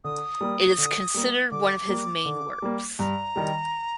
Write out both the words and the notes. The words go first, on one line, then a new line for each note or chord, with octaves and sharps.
It is considered one of his main works.
D3 D#6
G3 A#3
D3
G3 A#3
D3 D6
G3 A#3
D3
G3 A#3
G2 A#5
D#3 G3